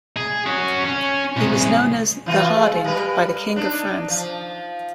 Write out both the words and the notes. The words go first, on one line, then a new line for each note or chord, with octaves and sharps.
He was known as "the Harding" by the king of France.
G#4
C#4 F#4
C#4
C2 G#4
E3 F4 F#4
G#3
G3 A#4 B4
D4 D#4
F3